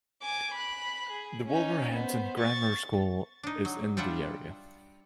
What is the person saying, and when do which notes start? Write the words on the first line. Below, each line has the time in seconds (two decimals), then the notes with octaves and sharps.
The Wolverhampton Grammar School is in the area.
0.22 G#5 D6
0.54 B5 F#6
1.11 G#4
1.46 C#4 D#4
1.94 B3 C5
2.39 C#6 A6
3.43 D4 D#4
3.65 F#3
3.97 G3 D4 F4 E5 F#5